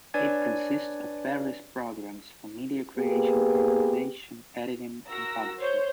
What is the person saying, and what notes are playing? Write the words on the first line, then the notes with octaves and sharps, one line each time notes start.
It consists of various programs for media creation, organization, editing and publishing.
D4 B4 C#5 D5 G#5 G#6
A#3 B3 G4 G#4 B4
F#4 A#4 E6 A#6
C5 C#5 G6